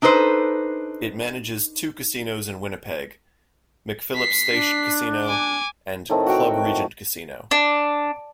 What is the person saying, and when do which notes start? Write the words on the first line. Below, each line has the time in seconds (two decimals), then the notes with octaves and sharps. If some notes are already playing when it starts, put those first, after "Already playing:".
It manages two casinos in Winnipeg: McPhillips Station Casino and Club Regent Casino.
0.02 D4 D#4 A4 B4 C5
4.16 B6 C7
4.51 D4
5.24 G#5 D6
6.09 A2 D#3 A3 C4
6.26 F#4 G5
7.51 D4